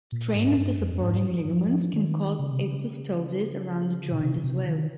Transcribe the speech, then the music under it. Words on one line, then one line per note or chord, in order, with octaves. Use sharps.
Strain of the supporting ligaments can cause exostosis around the joint as well.
A#2
G#2
G2
F2
G#2
F3
D#3
C#3
C3
C#3
A#2
C3
C#3
C3
D#3